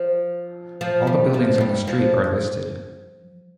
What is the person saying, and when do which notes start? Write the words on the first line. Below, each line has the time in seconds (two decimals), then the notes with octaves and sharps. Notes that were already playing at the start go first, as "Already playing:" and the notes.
All the buildings on the street are listed.
Already playing: F3
0.81 F3
1.07 G3
1.34 F3
1.56 F3
1.61 G3
1.87 F3